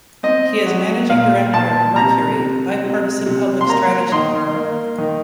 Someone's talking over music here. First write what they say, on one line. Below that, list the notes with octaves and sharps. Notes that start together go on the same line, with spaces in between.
He is managing director of Mercury, a bipartisan public strategy firm.
C4 D#5
F#3
A#2 F5
A#2 A5
C3 A#5
C3
C3
C3
C6
A#3 A#5
D#3 C6
A#3
D#3